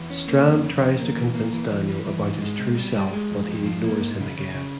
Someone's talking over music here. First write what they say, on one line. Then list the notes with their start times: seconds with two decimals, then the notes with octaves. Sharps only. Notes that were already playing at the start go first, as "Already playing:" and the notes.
Strand tries to convince Daniel about his true self but he ignores him again.
Already playing: E2
0.10 C#4
0.28 A#3
0.46 F2
0.63 C#3
0.81 F2
0.99 A#3
1.17 E3
1.35 A#3
1.53 E3
1.70 E3
1.88 G3
2.06 E3
2.24 G#2
2.42 G#3
2.59 C3
2.77 G3
2.95 G3
3.13 G#3
3.30 F2
3.48 F2
3.66 F3
3.84 A#3
4.01 G#2
4.20 C#3
4.37 C#3
4.55 C#3